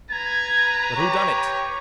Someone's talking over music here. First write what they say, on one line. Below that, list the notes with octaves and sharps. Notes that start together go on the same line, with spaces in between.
But who done it?
B4 A#5 G#6
G4 C#5